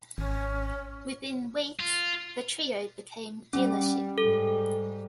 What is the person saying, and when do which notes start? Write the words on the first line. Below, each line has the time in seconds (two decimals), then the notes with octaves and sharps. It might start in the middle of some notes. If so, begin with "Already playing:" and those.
Within weeks, the trio became Dealership.
0.18 G#1 C#4
1.80 F4
3.53 G3 C#4
4.18 G#2 G3 A4